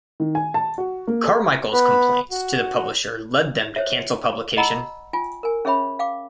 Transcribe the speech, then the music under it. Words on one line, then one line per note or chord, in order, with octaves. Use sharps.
Carmichael's complaints to the publisher led them to cancel publication.
D#3
G#5
A5
F#4
A#3
A4
B3 B4
F#4
C5 C#5 E5
D#5 F#5 A#5 B5 E6
F4 G5 G#5
A#4 G#5
C#4 G#4 C#5 E5 G5 B5
F5 G5 D6